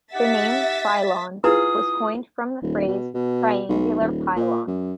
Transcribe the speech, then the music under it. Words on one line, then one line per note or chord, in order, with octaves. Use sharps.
The name "Trylon" was coined from the phrase "triangular pylon".
D#4 G4 E5 F#5 A6 B6
E4 F4 G#4 B4 D#6
D#1
B2
B2
B1
D#1
A#2
F#2